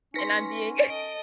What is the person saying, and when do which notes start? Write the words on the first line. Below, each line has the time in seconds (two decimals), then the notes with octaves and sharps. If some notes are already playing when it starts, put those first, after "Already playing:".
and I'm being
0.14 C#4 D#4 B4 C6 A#6 B6 C#7
0.89 A4 D#5 D7